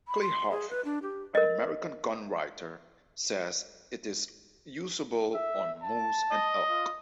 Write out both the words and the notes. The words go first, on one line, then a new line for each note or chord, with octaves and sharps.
Clay Harvey, an American gun writer, says it is usable on moose and elk.
B5
C6
G#4
B4
D4
G4
A#4 D#5
E5
A5
D#5
F4